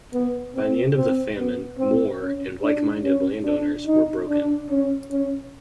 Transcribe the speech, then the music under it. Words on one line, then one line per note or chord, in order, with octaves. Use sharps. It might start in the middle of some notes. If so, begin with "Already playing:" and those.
By the end of the famine Moore, and like-minded landowners, were broken.
B3
C4
C4
B3
C4
C#4
D4
C#4
D4
D#4
D4
C#4
C#4